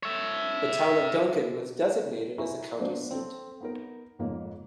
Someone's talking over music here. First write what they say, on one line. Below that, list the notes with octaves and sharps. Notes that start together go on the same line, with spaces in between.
The town of Duncan was designated as the county seat.
C#5 E5
E4 E5 G#5 A#5 C#6
F#3 A#3 B3 D4 C5 D#5
C4 A4
B3 D#4 A#4
F2 G#2 C#3 A#3